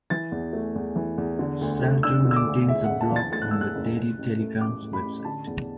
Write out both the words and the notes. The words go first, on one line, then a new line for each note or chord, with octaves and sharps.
Salter maintains a blog on "The Daily Telegraph"'s website.
E3 A6
E2
A3
E2
E3
E2
D3
D2
A3
D4 E6
D3
E6
D6
D2
E2 E5
F#5
F#1
A5
E3 A6
A3 A6
F#6
E2 E6
F#6
F#1
A2
A1
A3
A1 D6
A2
B5
A1
D3 A5
E2